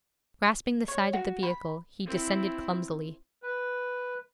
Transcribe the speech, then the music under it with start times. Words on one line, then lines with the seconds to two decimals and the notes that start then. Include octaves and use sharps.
Grasping the side of the vehicle, he descended clumsily.
0.88 C#5
1.13 F#4
1.43 B5
2.06 C4 E4
3.43 B4